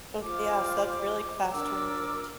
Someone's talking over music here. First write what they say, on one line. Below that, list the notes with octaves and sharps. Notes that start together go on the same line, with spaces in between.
Ok yeah, so that's a really fast turnaround.
F4 C5 D6
D4 A#4 D6 E6